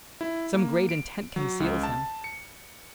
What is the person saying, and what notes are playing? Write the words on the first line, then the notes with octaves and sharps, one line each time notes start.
Some great intent Conceals him.
E4
A#3
D7
F#3
C#2
A5
C#7